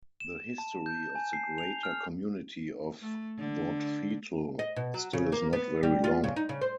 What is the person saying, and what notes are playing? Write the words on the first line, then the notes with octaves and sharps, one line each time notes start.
The history of the greater community of Dautphetal still is not very long.
E7
A5
G6
G#5
C7
F7
F6
A3
D3
D#5
B2
F#3
C#3
A#3
B3
G3
F4
C#3
D#4
C#3
C5